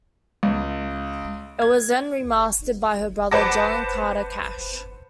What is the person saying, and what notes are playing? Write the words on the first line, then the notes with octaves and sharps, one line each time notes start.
It was then remastered by her brother John Carter Cash.
C#2
G#6
B4 C5 F#5 A5 D6 A#6